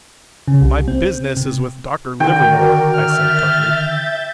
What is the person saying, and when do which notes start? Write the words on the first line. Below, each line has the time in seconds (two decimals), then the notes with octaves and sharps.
"My business is with Dr. Livermore," I said tartly.
0.48 C#3
0.61 C2
0.88 C4
1.37 C3
2.20 D3 D#3 F#4 A#4 D5 G5
2.95 E5 F6 G6 A6